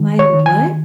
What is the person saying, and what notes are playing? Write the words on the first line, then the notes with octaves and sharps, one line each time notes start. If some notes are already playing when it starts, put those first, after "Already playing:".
like, what?"
Already playing: D#3 G#3
C#5
D#3
G#5